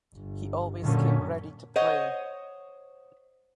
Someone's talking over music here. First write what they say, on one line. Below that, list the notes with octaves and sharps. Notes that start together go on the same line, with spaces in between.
He always came ready to play.
G1
F#2 A#2 D3 C#4
C5 C#5 D#5 F#5